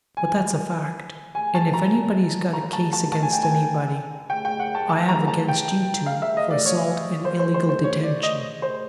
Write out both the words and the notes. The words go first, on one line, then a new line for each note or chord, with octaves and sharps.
But that's a fact--and if anybody's got a case against anybody, I have against you two for assault and illegal detention.
G#5
G#5
A5
A#5
A#5
A5
A5
A5
G#5
G5
G#5
G5
G5
F#5
A5
A5
A#5
A5
G5
F5
E5
D#5
D5
C#5
C5
C5
C5
C5
C#5
D5
D#5
C5